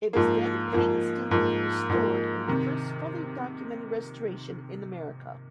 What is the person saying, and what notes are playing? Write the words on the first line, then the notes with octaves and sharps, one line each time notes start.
It was then painstakingly restored in the first fully documented restoration in America.
G#2 F3 A#3
G#2 F3 A#3
G#2 F3 A#3
G#2 F3 A#3
C3 D#3